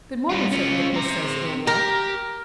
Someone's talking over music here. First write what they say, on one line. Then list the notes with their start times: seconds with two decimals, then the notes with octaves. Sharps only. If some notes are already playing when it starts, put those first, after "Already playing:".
"Good-morning, St. Nicholas," says Ill-Luck.
0.30 G3 F4
0.52 C#4 F4
0.94 C4 A#5
1.67 G4 A#4